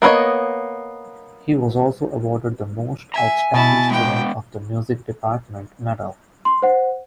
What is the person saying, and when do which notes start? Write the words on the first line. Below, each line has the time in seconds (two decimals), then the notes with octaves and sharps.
He was also awarded "The Most Outstanding Student of the Music Department" medal.
0.02 A#3 B3 A#4 C#5 D#5
3.14 E5 G#5 A#5
3.54 B2 E4 A5
3.91 G#3 B3 G5
6.45 C6
6.62 C5 F#5